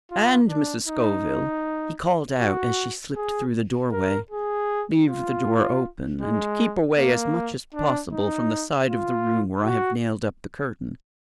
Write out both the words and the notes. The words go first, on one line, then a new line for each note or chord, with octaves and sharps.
And Mrs. Scoville," he called out as she slipped through the doorway, "leave the door open and keep away as much as possible from the side of the room where I have nailed up the curtain.
F4
D4
D#4
F#4
G#4
A#4
G#4
F4
G#3
A#3
D4
D#4
F4
F#4